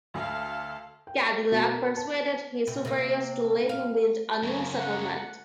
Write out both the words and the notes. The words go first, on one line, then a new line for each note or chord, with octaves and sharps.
Cadillac persuaded his superiors to let him build a new settlement.
D2 A4 F5
G5
B2
A#4
A5
C3
C3 A#3
F5
F#2 C#3
F#5